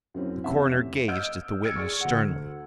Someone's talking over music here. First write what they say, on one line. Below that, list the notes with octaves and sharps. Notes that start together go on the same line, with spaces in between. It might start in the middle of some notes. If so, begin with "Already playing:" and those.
The coroner gazed at the witness sternly.
F#2 C4 C#4 E4
F1 E2 C3 C#4 E5
D#5 E6 F6 G6 D7
E6 F6 G#6 A6 C#7 D7
G#4 D5 C#6
D2 F#5